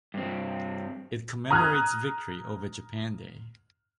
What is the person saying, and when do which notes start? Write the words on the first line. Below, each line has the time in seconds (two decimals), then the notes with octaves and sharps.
It commemorates Victory over Japan Day.
0.14 G2 C4
1.50 A#5 D#6 F6 F#6 G#6